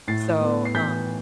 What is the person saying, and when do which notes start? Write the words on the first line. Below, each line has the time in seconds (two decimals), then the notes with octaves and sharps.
So, um,
0.08 A2 A6 C7
0.41 B3
0.65 C7
0.75 E3 G6 B6